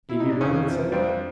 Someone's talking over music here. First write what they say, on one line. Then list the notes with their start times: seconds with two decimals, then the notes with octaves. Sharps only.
Davy Byrne said.
0.09 E4
0.20 D#4
0.30 D4
0.41 F2 C#4
0.66 C3 F3
0.92 F2 C4 D4